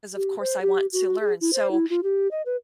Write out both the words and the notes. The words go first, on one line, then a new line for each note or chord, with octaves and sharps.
of course, I want to learn, so,
G4
C5
G4
F#4
G#4
E4
C5
E4
F4
G4
D#5
B4